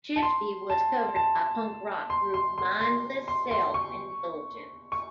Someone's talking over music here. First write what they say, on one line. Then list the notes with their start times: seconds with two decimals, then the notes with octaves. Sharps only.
Shiftee was covered by punk-rock group Mindless Self Indulgence.
0.16 A5
0.22 C6
0.70 A5
1.16 A5
2.10 C6
2.34 C6
2.58 C6
2.80 C6
3.28 C6
3.51 C6
3.74 C#6
4.92 C#6